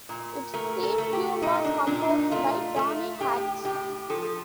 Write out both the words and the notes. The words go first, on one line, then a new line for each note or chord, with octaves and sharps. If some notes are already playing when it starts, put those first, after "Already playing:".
Its theme tune was composed by Tony Hatch.
A#2
A3 A#4
A4
A3
G4
A#2 D#4
D4
A#2 D4
D#4
A3 F4
A3
A2 G4
A2 G4
F3 A4